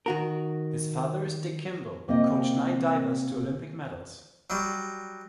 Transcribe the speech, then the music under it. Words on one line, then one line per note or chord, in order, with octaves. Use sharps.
His father is Dick Kimball, who coached nine divers to Olympic medals.
D#3 F#4 A#4
C3 A#3 C4 F4 D#5
F#3 G3